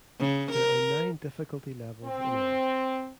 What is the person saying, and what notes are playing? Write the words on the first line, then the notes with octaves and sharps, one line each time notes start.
There are nine difficulty levels in all.
C#3
A#4
C4